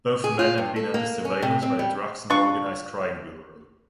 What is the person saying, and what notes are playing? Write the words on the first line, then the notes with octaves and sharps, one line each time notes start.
Both men had been under surveillance by the Drugs and Organised Crime Bureau.
G#4
F4
G2
A4
A#3
C#4
C3
C4
G3
D4 F4 C#6